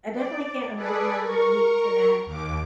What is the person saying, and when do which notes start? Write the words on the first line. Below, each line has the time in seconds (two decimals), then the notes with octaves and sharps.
I definitely can't imagine or relate to that-
0.13 D5
0.75 G#4 A4 B4 D5
1.20 A#4 C#6
2.26 D#2 D6